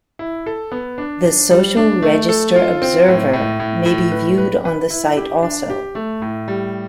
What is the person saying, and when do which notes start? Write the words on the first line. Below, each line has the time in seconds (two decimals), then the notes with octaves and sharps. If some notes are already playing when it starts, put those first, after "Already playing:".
The "Social Register Observer" may be viewed on the site also.
0.19 E4
0.46 A4
0.72 B3
0.98 D4
1.24 D4
1.50 G3
1.77 D4
2.02 A3
2.29 A4
2.56 F4
2.82 C4
3.08 A2
3.33 A2
3.60 A2
3.86 A2
4.12 B4
4.38 B4
4.65 B4
4.90 E4
5.17 G4
5.42 D4
5.70 G4
5.95 A3
6.22 A2
6.48 G3